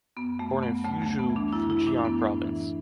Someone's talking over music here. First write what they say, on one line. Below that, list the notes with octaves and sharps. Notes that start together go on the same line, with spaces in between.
Born in Fuzhou, Fujian Province.
F#2 B3
F#2 A3
F#3 B3
D2 A3
A3
D2
B3
E3
D4
F#2 E4
E4
E3
D4
F#2
B3
A2
E3